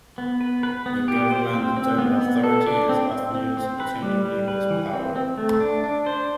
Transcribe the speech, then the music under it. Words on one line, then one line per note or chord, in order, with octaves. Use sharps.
In government, the term "authority" is often used interchangeably with "power".
B3
B4
B4
B3
G4
C5
C4
C4
B3
B3
A4
D4
C4
C4
C4
C4
B4
G3
G3
B4
E3
C4
C4
A3
D4
D4
C5